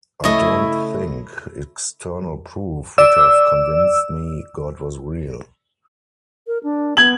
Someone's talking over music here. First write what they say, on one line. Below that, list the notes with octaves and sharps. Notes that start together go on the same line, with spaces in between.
I don't think external proof would have convinced me God was real.
C#3 A3 E4 C#5 D#5
D5 E6
A#4
D4
B3 G#6 F#7